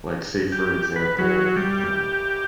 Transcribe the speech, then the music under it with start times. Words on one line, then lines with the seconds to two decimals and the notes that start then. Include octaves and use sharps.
like, say, for example, um
0.52 G4
0.96 B4
1.18 F#3
1.57 G3
1.85 G4